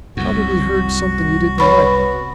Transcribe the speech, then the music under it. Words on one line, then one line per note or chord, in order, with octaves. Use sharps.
Probably heard something he didn't like.'
C2 F#2 F#4
B3 C#5 B5 C#6